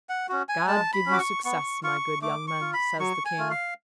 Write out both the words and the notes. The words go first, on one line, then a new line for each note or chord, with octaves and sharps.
"God give you success, my good young men," says the King.
F#5
C#4 F#4
G#5
G#3 A5
B5
C#4
F#4 D6
C#6
B3 C#6
F4 C#6
A3 D6
C#6
F4
B5
F#3 C#6
G#5
A3 F4
F5